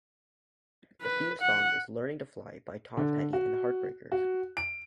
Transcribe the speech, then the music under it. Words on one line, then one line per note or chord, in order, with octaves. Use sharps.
The theme song is "Learning to Fly" by Tom Petty and the Heartbreakers.
B4
F#5
D3
F#4
F#4
D7